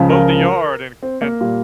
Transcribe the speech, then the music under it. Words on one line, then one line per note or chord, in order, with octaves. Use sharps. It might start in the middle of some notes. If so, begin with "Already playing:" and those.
Mow the yard and and,
Already playing: C#2 C#3 F3
A#4
C4
A#3
A#2 G3